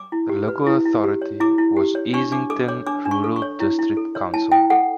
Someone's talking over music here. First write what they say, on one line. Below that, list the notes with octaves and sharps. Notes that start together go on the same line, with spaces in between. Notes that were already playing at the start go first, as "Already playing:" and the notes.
The local authority was Easington Rural District Council.
Already playing: D6
E4
G4
B4
E4
E4
G4
C#5
E4 D6
E4
G4
C#5
D4 C#6
D4 D6
A4 D6
C#5 D6
D4 D6
D4
C#6
A4
C#6
C#5
E4
E4
A4
C#5
E4 A5
E4 G5
A4 F#5